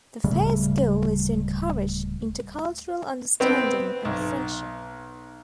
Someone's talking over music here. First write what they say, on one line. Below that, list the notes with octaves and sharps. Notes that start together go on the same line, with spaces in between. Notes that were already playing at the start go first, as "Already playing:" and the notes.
The Fair's goal is to encourage intercultural understanding and friendship.
D1 C#3 G3 A3
B3 C4
B1